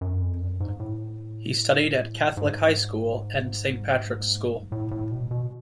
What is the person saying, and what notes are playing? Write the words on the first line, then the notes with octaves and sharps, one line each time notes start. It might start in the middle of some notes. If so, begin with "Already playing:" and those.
He studied at Catholic High School and Saint Patrick's School.
F#2
F2
F#2
G#2
A2
G#2
A2
A2
B2
B2